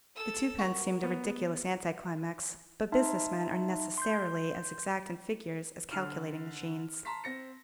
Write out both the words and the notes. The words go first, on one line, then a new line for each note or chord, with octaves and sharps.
The twopence seemed a ridiculous anti-climax; but business-men are necessarily as exact in figures as calculating-machines.
A4 E6
F#4 A#4
B3
D#4 E5 A5 C6
C6 G6
D3 F6
A5 A#5 C6 B6
C4 A#6 C#7